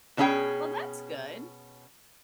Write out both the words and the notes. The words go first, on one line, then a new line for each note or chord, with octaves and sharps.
Well, that's good.
B2 D#3 C#4 E4 G#4 G5